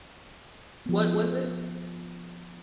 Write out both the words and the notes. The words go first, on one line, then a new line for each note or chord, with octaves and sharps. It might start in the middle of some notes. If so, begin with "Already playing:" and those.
What was it?
F3 B3